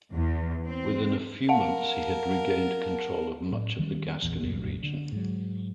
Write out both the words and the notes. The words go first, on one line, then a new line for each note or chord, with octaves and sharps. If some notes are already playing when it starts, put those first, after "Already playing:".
Within a few months, he had regained control of much of the Gascony region.
E2
C4
A#4 F5 F#5 A5
A2
D#3 G3 A#3 C#4
A#1 E2
F1 C2 F#2 A#2
D3
G#2 F#3